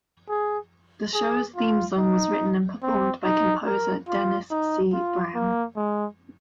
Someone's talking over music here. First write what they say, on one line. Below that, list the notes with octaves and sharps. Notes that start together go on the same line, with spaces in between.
The show's theme song was written and performed by composer Dennis C. Brown.
G#4
G#4
F4
D#4
C4
D#4
A#4
F4
D#4
F4
A#3
G#3